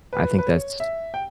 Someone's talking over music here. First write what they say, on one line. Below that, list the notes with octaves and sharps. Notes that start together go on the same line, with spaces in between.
I think that's
B4
B4
C#5
E5
G5